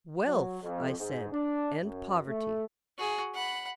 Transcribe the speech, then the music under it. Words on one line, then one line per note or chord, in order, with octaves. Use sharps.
Wealth, I said, and poverty.
F#3
F2
G#2
D4
F#2
A3
F#4 G#4
F#5 B5